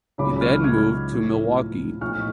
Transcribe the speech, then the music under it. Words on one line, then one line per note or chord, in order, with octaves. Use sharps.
He then moved to Milwaukee.
C#2 C#3 F#3 C#4 B5 D6
C#6 F6
F6 G#6
B1 A2 F3
B1 A2 F3 C#6 F6